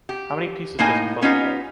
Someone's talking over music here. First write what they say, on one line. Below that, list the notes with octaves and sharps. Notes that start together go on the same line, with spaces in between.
How many pieces does your puzzle have?
G4
A2 A#3 D#4 G#5
B3 C#4 D#4 F4 G4